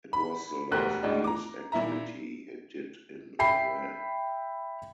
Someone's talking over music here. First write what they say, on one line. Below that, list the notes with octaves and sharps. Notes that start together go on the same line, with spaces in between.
It was the last news activity he did in Iran.
B5
E1 D2 G4 A#4 C5 F#6
D2 A2 G#3 D4
A#5 D6
A#2 E4 E5 A#5
E5 G5 B5 C7